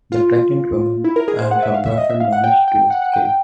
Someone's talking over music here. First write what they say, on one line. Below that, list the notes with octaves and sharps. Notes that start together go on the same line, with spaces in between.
The pregnant woman and her boyfriend managed to escape.
F4
E4
A#4
G#4
C5
F#5
E5
F5
E5
D#5
E5
F5
F#5
G5
G5
F#5
F#5
G5
G5